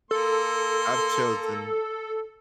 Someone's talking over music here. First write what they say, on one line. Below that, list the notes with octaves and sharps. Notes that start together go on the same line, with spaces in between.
I've chosen
A#3 A4 C6